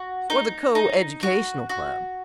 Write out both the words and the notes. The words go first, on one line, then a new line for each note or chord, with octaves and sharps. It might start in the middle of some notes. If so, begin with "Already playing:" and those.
Or the Co-educational Club?
Already playing: F#4
D#4
D#4
F#4
F#4